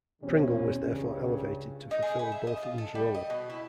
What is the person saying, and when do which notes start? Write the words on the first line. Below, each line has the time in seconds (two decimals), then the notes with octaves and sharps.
Pringle was therefore elevated to fulfill Botham's role.
0.22 E2 B2 D3 G3 C4 C#4
0.84 C#2 G2 C#3
1.91 D#4
2.02 G#4
2.19 B4
2.32 E5
2.47 D#5
2.63 F4
2.78 A4
2.95 G3
3.15 D#5
3.30 B2
3.50 E4